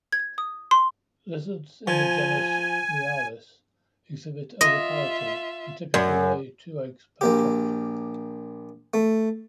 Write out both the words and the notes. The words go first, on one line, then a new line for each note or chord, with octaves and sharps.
Lizards in the genus "Lialis" exhibit oviparity and typically lay two eggs per clutch.
G#6
D#6
C6
F3 G#5
F4 D#5 E5
F#2
A#1 A#3 G4
A3